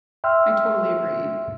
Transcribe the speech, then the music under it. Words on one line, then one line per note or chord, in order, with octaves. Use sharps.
I totally agree.
E5 G5 C6 E6 F6